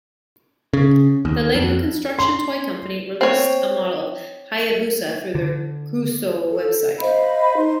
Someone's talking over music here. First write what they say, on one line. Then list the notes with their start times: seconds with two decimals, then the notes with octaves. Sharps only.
The Lego construction toy company released a model of "Hayabusa" through their Cuusoo website.
0.73 C#3
1.25 D#2
1.55 F2
2.19 C6
3.21 C4 C#5
5.35 D3
6.50 A4
7.00 C5 D#5 F5 B5
7.57 D#4 C6